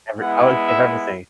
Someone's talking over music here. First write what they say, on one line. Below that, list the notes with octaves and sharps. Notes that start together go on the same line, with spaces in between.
every I would give everything.
G#3 B3 E4 F#5
E5